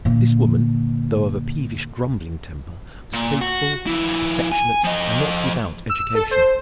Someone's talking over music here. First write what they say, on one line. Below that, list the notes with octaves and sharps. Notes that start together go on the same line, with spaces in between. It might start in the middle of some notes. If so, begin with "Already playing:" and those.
This woman, though of a peevish, grumbling temper, was faithful, affectionate, and not without education.
A#2 D3
A#2
F#4
F3 E4
G#5
F3 D#5
E6
A4
C5